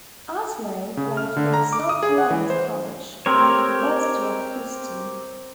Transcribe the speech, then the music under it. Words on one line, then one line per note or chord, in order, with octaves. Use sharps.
Outlaw played for South Plains College and the University of Houston.
C#3
F6
D3
A#5
D6
D#6
G#4
F#5
E3
C5
C4 G4 A#4 C#5